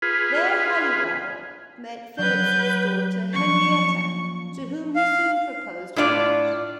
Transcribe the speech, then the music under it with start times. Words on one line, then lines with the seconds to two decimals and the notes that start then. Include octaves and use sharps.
There Halliwell met Phillipps's daughter, Henrietta, to whom he soon proposed marriage.
0.02 F4 G#4 B4
2.18 F#3 B4 G6
3.33 F3 A#3 C#4 C#6
4.96 F5
5.96 A2 D4 F4 D5